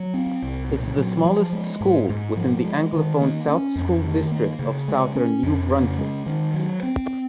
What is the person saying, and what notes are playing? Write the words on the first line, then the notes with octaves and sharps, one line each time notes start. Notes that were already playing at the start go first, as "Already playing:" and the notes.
It's the smallest school within the Anglophone South School District of Southern New Brunswick.
Already playing: F#3
C4
C2
A#2
F#3
F3
G#3
G#2
G#2
F3
G#3
D#3
A#3
C#4
F2
D#3
A#3
C#3
G#3
C#4
F2
C#3
G#3
D#3
F#3
C4